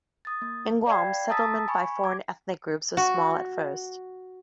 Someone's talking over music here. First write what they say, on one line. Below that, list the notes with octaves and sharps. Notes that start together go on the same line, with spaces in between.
In Guam, settlement by foreign ethnic groups was small at first.
D#6 A6
A#3
D5 F5 G5 B5 G#6 C7
A5 A#5 D#6 E6 A6 B6
G#5 B5 C#6
D6 G#6
F#4